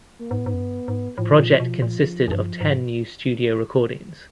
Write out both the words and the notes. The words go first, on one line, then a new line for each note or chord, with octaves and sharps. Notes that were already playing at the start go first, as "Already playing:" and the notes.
The project consisted of ten new studio recordings.
A#3
G#2 B3
A2
G#2
F#2
G2
G#2
A2 F3
A#2
B2
A#2
F#2
G2
G#2